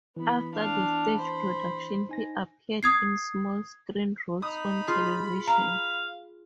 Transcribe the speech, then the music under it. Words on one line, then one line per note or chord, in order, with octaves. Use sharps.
After the stage production, he appeared in small screen roles on television.
E3 B3 B5
D4 F5
C5 B5
D#4 G#5 A#6
D#6 G#6 C7
D#4 B5 D#6
F4 G#4
F5 A#5